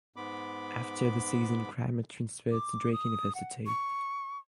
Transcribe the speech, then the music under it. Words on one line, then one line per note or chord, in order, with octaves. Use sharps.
After the season Kraemer transferred to Drake University.
G#2 B3 B5 D6
D6
D#6
F#5
C#6